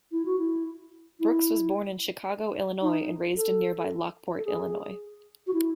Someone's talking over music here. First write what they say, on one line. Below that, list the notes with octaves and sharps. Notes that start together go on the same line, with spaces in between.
Brooks was born in Chicago, Illinois, and raised in nearby Lockport, Illinois.
E4
F#4
E4
E4
D#4
A4
A4
G#4
F#4
E4